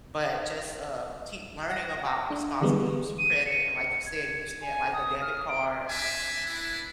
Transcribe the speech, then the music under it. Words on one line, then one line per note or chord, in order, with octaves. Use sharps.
but just, uh, te keep learning about responsible use of credit and like you said, using it like a debit card
F#5 A#6
D4
D3 E3 G3 G#3 B3
D#7
C#7
C#7
G#6
G#5
D#6
F6
D7
C4 D4 E5 G#5
B3 D4 E4